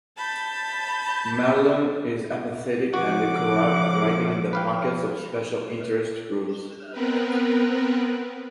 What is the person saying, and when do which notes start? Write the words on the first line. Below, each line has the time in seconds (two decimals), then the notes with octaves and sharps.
Marlon is apathetic and corrupt, riding in the pockets of special interest groups.
0.16 A5 B5 G6
2.94 G#2 C#3 F3 F#4 F#5 D6
4.53 B4 F5 G5
6.91 B3 C4 A#4 B4